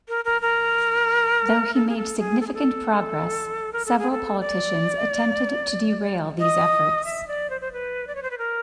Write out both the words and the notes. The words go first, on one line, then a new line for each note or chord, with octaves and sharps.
Though he made significant progress, several politicians attempted to derail these efforts.
A#4
A#4
A#4
A4
G#4
A4
G#4
A4
G#4
A4
A#4
A4
G#4
A4
D5
D#5
E5
D5
C5
C5
B4
D5
C#5
C5
B4
A#4